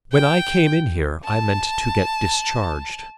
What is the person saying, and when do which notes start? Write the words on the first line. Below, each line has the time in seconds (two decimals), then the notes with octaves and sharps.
When I came in here I meant to get discharged.
0.12 G5
1.25 A5